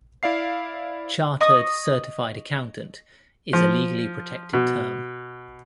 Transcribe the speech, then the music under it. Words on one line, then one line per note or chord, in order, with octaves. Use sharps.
Chartered Certified Accountant is a legally protected term.
E4 D5 F5 C7
D#5 C#6 D#6
F3
B2